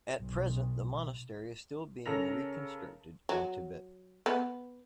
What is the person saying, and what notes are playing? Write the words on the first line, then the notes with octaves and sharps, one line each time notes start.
At present, the monastery is still being reconstructed in Tibet.
B1
C#3 A4 A#4 A#6 F7
F#3
B3